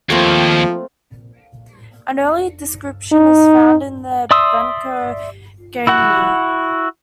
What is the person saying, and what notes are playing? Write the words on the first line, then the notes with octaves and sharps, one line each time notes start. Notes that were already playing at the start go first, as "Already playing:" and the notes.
An early description is found in the Bencao Gangmu.
D#2 F3 A3 A#3 C4
D#4
D5 E5 C6 D#6 E6
E4 F#4 F#5